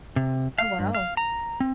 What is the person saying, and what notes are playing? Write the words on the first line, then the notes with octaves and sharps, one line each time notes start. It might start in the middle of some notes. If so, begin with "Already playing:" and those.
Oh, wow.
C3
F5
G2
F5
A#5
C4